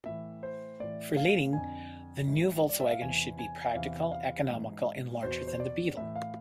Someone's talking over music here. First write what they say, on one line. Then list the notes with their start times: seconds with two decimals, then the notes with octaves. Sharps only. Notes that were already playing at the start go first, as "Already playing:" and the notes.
For Leiding, the new Volkswagen should be practical, economical and larger than the Beetle.
0.06 A2 E3 E5
0.43 C5
0.80 A2 E3 D5
1.17 F5
1.53 F2 D3 G#5
2.28 G#2 E3
2.69 D5
2.80 E5
2.91 F5
3.02 E2 C3 E3 G#5
3.39 G#5
3.66 E5
3.75 E2 C3 E3 F5
4.12 F5
4.49 G#2 E3
5.23 E2 B2 C5
5.47 C5
5.60 D5
5.97 A2 E3 E5
6.16 F5